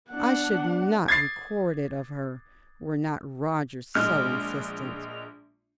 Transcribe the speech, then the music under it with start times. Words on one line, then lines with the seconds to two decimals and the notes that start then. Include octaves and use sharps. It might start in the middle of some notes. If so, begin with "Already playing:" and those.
I should not record it of her were not Roger so insistent.
0.11 B3 D4 F#5
1.08 G#6 A6 C7
3.95 A#1 G#3 F6